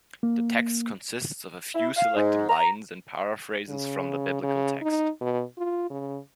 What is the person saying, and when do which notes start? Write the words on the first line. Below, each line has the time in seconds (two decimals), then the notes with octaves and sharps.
The text consists of a few selected lines and paraphrases from the Biblical text.
0.23 A#3
1.74 E4
1.97 F5
2.16 G#2
2.48 A#5
3.69 C#3
4.43 C#3
4.81 D#4
5.21 B2
5.57 F4
5.90 C#3